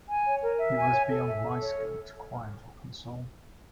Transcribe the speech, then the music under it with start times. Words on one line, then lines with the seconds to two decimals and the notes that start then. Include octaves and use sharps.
He was beyond my skill to quiet or console!
0.08 G#5
0.26 C#5
0.42 A#4
0.59 E5
0.76 G#5
0.93 C#5
1.10 A4
1.27 E5
1.44 A4
1.61 C#5
1.78 A4